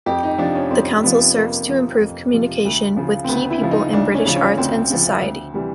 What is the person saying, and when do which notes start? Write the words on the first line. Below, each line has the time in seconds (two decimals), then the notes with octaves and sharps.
The Council serves to improve communication with key people in British arts and society.
0.06 F2 G4
0.23 D#4
0.38 C3 F3 D4
0.55 C#4
0.70 F2 C4
1.03 C3 F3 B3
1.35 F2 A#3
1.68 C3 F3
2.00 F2
2.32 C3 F3
2.65 D2
2.97 C#3 F3
3.24 C4
3.28 D2 B3
3.50 E4
3.61 C#3 F3
3.71 D#4
3.93 D2 D4
4.14 C#4
4.25 C#3 F3
4.36 C#4
4.58 D2 C4
4.90 C#3 F3
5.22 D2
5.54 C3 E3 G3